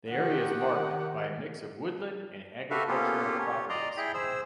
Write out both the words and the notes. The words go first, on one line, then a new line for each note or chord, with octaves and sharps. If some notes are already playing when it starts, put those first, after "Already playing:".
The area is marked by a mix of woodland and agricultural properties.
D#3 G4 F#5
F#4 G4 A4 B4 E5 F5
A#3 B3 C#4 F4 G4 A4
G4 C#5
D5 D#5 A#5 C6
E4 G#4 G5 B5
G#4 C5 E6